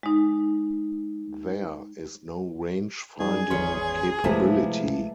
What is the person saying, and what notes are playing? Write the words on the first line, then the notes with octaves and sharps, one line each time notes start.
There is no range-finding capability.
G#3 D#4
G3 D#4 G#4
G#1 E2 C#4 C#5 C6
C3 F3 G#3 A3 E4 B4 A5